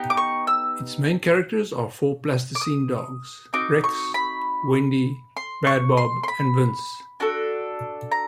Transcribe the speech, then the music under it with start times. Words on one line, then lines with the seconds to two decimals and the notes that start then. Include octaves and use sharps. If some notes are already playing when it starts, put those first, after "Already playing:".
Its main characters are four plasticine dogs: Rex, Wendy, Bad Bob and Vince.
Already playing: B3 D#4 G4
0.10 D6
0.17 C#6
0.47 E6
2.55 D6
2.61 D#6
3.53 C4 D#4 F#4 D6
3.84 C#6
4.14 B5
5.37 C6
5.67 C#6
5.97 C6
6.23 C6
6.28 B5
7.20 D4 F#4 A4
8.11 A#5